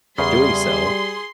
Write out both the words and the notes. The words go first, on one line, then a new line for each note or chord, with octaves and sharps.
but doing so,
E2 C#3 G3 G#4 C6